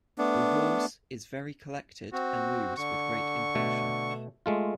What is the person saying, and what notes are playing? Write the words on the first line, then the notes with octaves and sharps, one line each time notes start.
The horse is very collected and moves with great impulsion.
A3 B3 D4
C4 F#4
D3 C#6
B2 A3
G#3 A3 F4